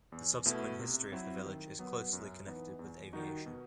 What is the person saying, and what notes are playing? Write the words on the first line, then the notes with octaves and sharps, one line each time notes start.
The subsequent history of the village is closely connected with aviation.
E2
B2 A3 E4
C3
F#3 C4 E4
D#3
F#3 B3
F#2
E3 B3 D#4
E2
D#3 G3 D#4 F#4
B2